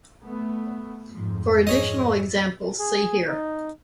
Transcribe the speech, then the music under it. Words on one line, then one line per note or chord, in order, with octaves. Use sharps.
For additional examples, see here.
A3 B3
F2 G#2 F3
G#4 C#5 D#5
G#4
D#4